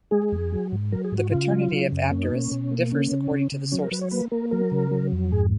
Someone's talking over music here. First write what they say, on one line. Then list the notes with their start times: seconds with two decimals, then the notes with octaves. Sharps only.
The paternity of Abderus differs according to the sources.
0.11 G#3 G#4
0.32 F2
0.52 F#3
0.72 G#2
0.92 F#3 A#4
1.05 G#4
1.12 G#2
1.18 F#4
1.31 C#3 F4
1.51 F#3
1.72 C#3
1.92 F#2
2.11 A#3 C#4
2.23 D#4
2.31 B2 C#4
2.52 B2
2.71 A#3
2.92 C#3 C#4
3.12 C#3
3.31 C#3
3.52 C#3
3.72 F#3 C#4
3.82 A#4
3.91 F#3 B4
4.01 C#5
4.11 A#3 B4
4.31 A#3 A#4
4.51 F#3 A#4
4.72 C#3
4.91 F#3
5.12 F2
5.32 G#2 G#4